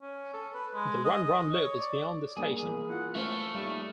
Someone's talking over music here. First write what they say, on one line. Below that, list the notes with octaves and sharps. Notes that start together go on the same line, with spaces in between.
The run-round loop is beyond the station.
C#4
A4
B4
G#3
D#5
D#5
C#5
D5
G3 A#3 D4 G#4
E3 A#3 B3
E4 F4 F#5
A3 C#4 B4 C5 E5 F5 C#6
C2 A#2 D#3 G3